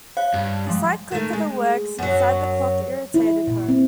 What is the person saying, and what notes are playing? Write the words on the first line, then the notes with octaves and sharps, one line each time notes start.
The slight click of the works inside the clock irritated her.
C#5 F5 F#6
G2
F3 G3 G#3
D#3 A3
G#3
F#2 F#3
E4
A#2
C4